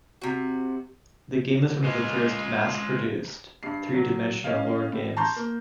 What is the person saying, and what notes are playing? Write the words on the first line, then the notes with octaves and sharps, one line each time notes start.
The game was one of the first mass-produced, three-dimensional board games.
C3 F#4
G#3 F4
G2 C7
F#3
C#4 D#5 F5
A2
A5 A#5 C6 C#6 G6
A#3